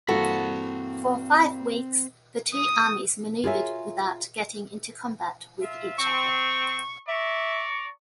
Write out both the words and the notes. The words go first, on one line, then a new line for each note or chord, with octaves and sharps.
For five weeks the two armies manoeuvred without getting into combat with each other.
G2 E3 A#3 C4 F#4 A4 B5
D#6
F4 F#4 G#4 A#4 C#5 E5
F4 E5
C4 C#6
D5 E5 A#5 C#6